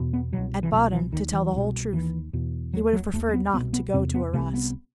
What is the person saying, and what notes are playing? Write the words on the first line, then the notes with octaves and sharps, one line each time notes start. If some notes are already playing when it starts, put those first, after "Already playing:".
At bottom, to tell the whole truth, he would have preferred not to go to Arras.
Already playing: E2 B2
B3
C2 B2 F#3
E3
C2 B2 F#3
E3
D#2 D#3
E3
C2 B2
D#2 E3
E2 B2
D#2 F#3
F#3
D#2 A3
A3
B3
C2 B2 B3
B3
E2 C3 C4
B3
C2 C3 A3
B3